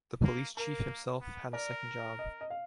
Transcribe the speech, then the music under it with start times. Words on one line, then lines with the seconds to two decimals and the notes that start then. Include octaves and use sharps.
The police chief himself had a second job.
0.24 A#3
0.57 A#3 A#4
1.21 B3
1.53 A#4 D5
2.19 D#5
2.41 D#5
2.50 F5